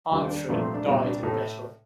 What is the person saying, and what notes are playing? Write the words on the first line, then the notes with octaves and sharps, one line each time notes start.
Arnefrit died in battle.
D#2 D3 G3 F4
D4
C2 A#2 F3 A3 D4
C4
D4
C2 A#2 G3 D#4
D4
A2 A3 D#4